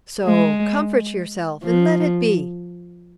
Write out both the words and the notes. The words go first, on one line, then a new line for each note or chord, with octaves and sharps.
So comfort yourself, and let it be!
G#3
F3